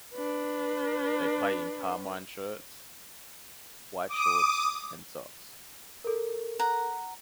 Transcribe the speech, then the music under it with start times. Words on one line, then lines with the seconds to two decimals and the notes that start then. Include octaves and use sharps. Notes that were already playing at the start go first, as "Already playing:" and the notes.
They play in carmine shirts, white shorts and socks.
0.14 D4 B4
4.08 D6 D#6
6.04 A4 A#4
6.59 F#5 A#5